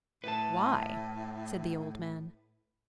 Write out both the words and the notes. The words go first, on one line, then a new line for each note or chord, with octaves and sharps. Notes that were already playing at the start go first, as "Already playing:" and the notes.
"Why?" said the old man.
A2 B4 A5